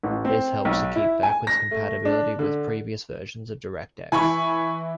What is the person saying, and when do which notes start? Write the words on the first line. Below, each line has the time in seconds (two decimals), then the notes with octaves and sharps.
This helps to keep backwards compatibility with previous versions of DirectX.
0.03 A1
0.25 C4
0.65 B1
0.96 E4
1.23 G#5
1.47 A#6
1.71 A3
2.05 D4
2.39 D3
4.12 E3 E4 G#5 B5 C#6